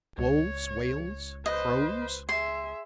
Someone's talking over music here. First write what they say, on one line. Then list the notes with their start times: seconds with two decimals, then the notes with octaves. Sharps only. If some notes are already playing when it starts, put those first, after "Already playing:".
Wolves, whales, crows?
0.18 C#2 C#5
1.46 B4 C5 D#5
2.29 G#4 E5 C6